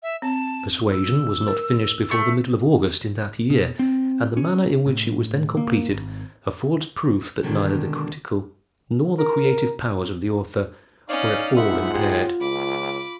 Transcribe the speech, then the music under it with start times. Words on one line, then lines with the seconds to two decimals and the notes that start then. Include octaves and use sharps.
'Persuasion' was not finished before the middle of August in that year; and the manner in which it was then completed affords proof that neither the critical nor the creative powers of the author were at all impaired.
0.03 E5
0.22 C4 A5
0.91 E6
1.48 A#4
2.11 A3
3.50 B2
3.79 C4
4.37 C#4
4.86 A2
5.57 A#3
5.91 G#1
7.43 B2 D3 D#3 G#3
9.19 A#4
11.09 C#4 D#4 D5 F5
11.56 G#2 D#4 F4 E5 F#5 B5
11.93 G4 G#4 C6
12.41 C#2 B5 D6